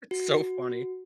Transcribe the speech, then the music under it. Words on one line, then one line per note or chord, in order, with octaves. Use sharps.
It's so funny.
F#4